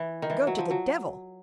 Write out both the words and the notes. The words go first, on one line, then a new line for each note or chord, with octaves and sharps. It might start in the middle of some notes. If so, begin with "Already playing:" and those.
Go to the devil!
Already playing: E3
D#3
E3
F#3
F3
F#3